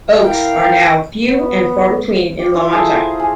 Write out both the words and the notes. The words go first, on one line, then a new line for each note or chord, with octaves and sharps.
Oaks are now few and far between in La Mancha.
E4 A#4 F5 G5
B3
G4
E4 F4
G#4 A4 C5
A#5
G#4